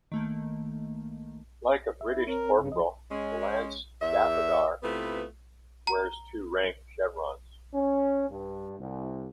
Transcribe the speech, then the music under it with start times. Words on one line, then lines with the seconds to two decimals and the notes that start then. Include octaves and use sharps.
Like a British corporal, a lance daffadar wears two rank chevrons.
0.12 D#3 A3 A#3
2.01 E5
2.14 E4
2.27 C4 A#4 C#5
2.57 G2 C#3
2.72 D#2 F3 D#5
3.11 G#3 C#4
4.02 E2 E5
4.83 C3 A3 B3 E4 F4 B4
5.87 A#5
7.73 C#4
8.29 G2
8.78 C2